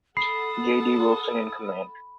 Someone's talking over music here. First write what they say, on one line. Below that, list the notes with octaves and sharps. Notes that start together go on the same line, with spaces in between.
J. D. Wilson in command.
A4 F#5 A5 B5 D#6 C7